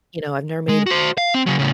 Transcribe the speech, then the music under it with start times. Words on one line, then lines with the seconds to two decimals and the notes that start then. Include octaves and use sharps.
you know, I've never made
0.69 G#3
0.86 F#4 C5
1.18 F5
1.34 C4
1.46 C#3 F#3
1.59 A2 C#3